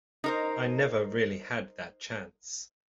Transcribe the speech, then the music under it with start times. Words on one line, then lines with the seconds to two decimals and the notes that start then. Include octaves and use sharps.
I never really had that chance.
0.24 D#4 A#4 C5